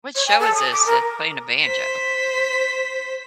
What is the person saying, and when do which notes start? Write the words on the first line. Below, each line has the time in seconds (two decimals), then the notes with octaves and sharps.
Which show is this that's playing a banjo?
0.15 C#5
0.27 G#5
0.40 A4
0.54 D#6
0.72 D6
0.86 A#4
1.62 C5 B6